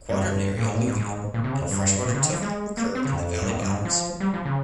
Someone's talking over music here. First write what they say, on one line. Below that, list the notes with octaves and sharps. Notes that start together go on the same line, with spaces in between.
Quaternary alluvium and freshwater tufa occur in the valley bottoms.
G2
F2
G2
A#2
G#2
A#2
G#2
G#2
A#2
C3
C#3
F2
G2
A#2
C#3
D#3
F3
G#3
A#3
C4
C#3
F2
G2
F2
G2
G#2
F3
G3
F3
C#3